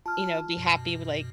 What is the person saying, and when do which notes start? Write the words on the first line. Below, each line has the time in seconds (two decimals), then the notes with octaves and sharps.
you know, be happy with, like,
0.06 F4 A5 F6
0.57 F#2 B2